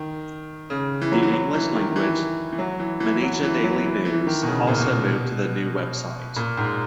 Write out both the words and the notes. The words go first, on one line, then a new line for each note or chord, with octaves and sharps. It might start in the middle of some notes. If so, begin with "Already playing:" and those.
The English-language "Mainichi Daily News" also moved to the new website.
Already playing: D#3
C#3
E3
F#3
E3
F#3
E3
D#3
E3
E3
F#3
E3
E3
F#3
E3
F#3
E3
E3
D#3
B2
C#3
A#2
B2
A#2
G#2